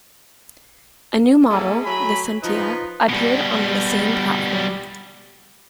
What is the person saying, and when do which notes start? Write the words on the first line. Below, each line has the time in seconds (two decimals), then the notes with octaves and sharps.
A new model, the Sentia, appeared on the same platform.
1.49 G#3 A#3 C#4 E4 G#4 A4
1.85 F#3 A3 G#5 B5
2.43 F3 D#4 B4
3.09 B2 G3